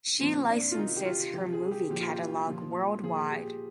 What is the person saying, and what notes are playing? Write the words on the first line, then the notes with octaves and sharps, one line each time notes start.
She licenses her movie catalog worldwide.
A#2 F3 C4
D4
F4
C3 D#3 D#4
G4
F4
C3 F3 G4
G#4
G4
A#2 F3 G4
F4
G4
A#2 F3
A#2 F3 G#4
G4